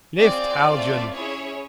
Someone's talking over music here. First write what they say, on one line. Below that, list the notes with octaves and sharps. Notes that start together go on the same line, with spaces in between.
"Lift, Haljan!"
C4 F4 G#4 D5
A3 C4 F4
C#4 E4 G#4 C#5